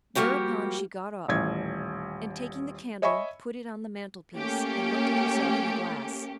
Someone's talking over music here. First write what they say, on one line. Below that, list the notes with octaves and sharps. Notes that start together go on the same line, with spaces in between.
Thereupon she got up, and, taking the candle, put it on the mantel-piece and looked at herself in the glass.
F3 G3 A#3 F#4 G4
D#1 A1 G#6
C#5 D#5 E5 G#5 B5 C#6
A3 A#3 C#4 G4